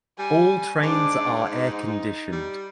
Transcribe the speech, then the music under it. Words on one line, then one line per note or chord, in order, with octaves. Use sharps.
All trains are air conditioned.
G3 G#5
G#2 D4 D6
D#4
G3